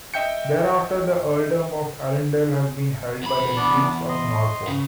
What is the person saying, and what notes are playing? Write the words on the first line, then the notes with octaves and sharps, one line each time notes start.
Thereafter the Earldom of Arundel has been held by the Dukes of Norfolk.
D#5 E5 G5 G6 C#7
E2 B5
B3 D4 D5
D#5 C6
C#3